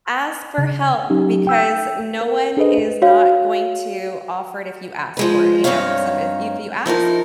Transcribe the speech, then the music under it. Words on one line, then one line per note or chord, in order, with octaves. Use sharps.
Ask for help because no one is not going to offer it if you ask for it, you know, some if you ask,
C#3
F#3 C#4 D#4 G4
G5 E6 G6
A#4
D4 G#4 A4 B4 C5 D#5
F#4 C#5 F5
F3 G#3 B4
G2 C4 C#4 D#4 C#5 F5
F3 D#4 E4 A#4